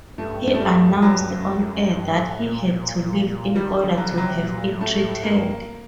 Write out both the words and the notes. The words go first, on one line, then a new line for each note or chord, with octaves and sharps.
He announced on-air that he had to leave in order to have it treated.
G2 A3
G2
A3
G3
G2
G2 F#3
F#2
F#2
G2
A2
A#2
C3
A#2
A#2
A#2
D#3 G3
D3
F#3
C3
F#3
A#2
A2
A3
A2
G2 A#3